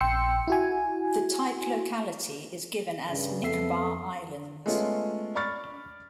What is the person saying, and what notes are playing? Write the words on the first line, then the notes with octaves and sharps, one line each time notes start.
The type locality is given as "Nicobar Islands".
A#1 G5 C6 E6 C#7
E4 F#4 G#5
G2 C#3
F2 B3 A4 E5 C7
G#3 A3 B3 C#4 F4 C#5
D5 B5 C#6 F6 A6